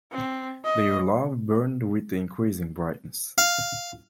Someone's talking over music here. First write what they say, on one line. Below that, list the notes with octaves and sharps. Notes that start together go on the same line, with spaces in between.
Their love burned with increasing brightness.
C4
D#5
F5